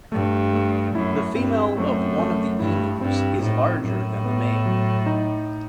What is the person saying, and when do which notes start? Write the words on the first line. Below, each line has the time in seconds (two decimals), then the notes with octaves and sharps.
The female of one of the emus is larger than the male.
0.12 G2 A3
0.53 A3
0.95 F#2 E4
1.35 G2 C4
1.77 F#2 A3
2.18 A3
2.59 G2 E4
3.00 G2 C4
3.42 A2 D#4
3.83 F#2 A2
4.25 B3
4.66 F#3
5.06 D#4